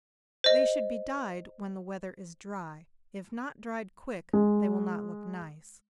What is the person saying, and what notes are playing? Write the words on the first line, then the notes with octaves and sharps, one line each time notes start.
They should be dyed when the weather is dry--if not dried quick, they will not look nice.
C5 D#5
G#3